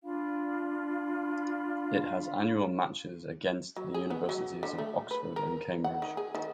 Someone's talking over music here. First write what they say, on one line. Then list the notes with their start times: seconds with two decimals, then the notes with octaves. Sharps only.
It has annual matches against the universities of Oxford and Cambridge.
0.04 D4 F4 F5 B5
3.76 F#3
3.94 G#4
4.10 B3
4.29 F#3
4.63 D3
4.78 A3
5.11 B4
5.36 A#4
5.84 F#5
6.02 D#3
6.17 G#4
6.35 D#3